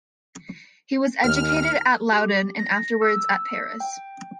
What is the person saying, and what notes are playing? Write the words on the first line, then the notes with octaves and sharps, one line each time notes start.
He was educated at Loudun and afterwards at Paris.
D#2 F6
G4
A#6
E6
G5